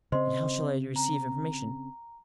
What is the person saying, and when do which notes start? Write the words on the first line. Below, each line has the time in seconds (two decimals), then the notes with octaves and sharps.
"And how shall I receive information?"
0.12 C#3 C4 C5 D#5 C6
0.96 A#5